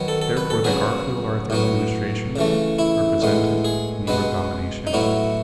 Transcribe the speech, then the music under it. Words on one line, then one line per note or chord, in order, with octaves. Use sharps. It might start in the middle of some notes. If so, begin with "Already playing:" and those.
Therefore, the Garfield-Arthur administration represented "Negro Domination."
Already playing: D#3 F#3 B3
A4
A4
B4
A4
C#3 F#3 B3 G#4
A2 F#3 B3
C#3 E3 A3
E4
A2 G#3 B3
G#4
B2 G#3 B3 B4
D#4
A2 F#3 B3 E4